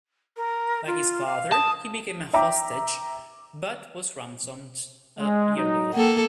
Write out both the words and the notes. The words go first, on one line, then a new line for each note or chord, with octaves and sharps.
Like his father he became a hostage but was ransomed a year later.
A#4
F4
F5
A5 D#6
E5 G5 A#5 D6
G#3
F#3 D#4
A#3 A4 F#5 G5